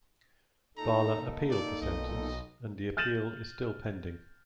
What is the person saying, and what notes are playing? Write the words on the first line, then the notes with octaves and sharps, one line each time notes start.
Bala appealed the sentence and the appeal is still pending.
A#2 D#4 A4 A#5
D5
B1 D#5
F6 G6 A6 D#7 E7 F#7